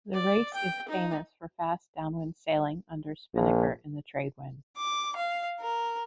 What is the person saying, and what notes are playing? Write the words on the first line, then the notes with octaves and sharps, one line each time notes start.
The race is famous for fast downwind sailing under spinnaker in the trade winds.
D5
G5
D#4
A#1
D6
F5
A#4